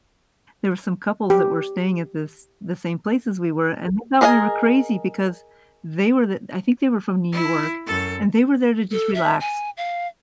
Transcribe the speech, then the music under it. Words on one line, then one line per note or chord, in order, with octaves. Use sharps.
there were some couples that were staying at this the same place as we were, and they thought we were crazy because they were the I think they were from New York, and they were there to just relax.
G4
G#4 A#4 D#5 F5 G#5
E4
F#2 A4
A4
E5
G#5
F5